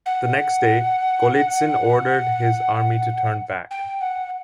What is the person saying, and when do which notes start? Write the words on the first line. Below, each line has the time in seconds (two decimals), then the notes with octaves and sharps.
The next day, Golitsyn ordered his army to turn back.
0.06 F#5
3.71 G5
4.01 F#5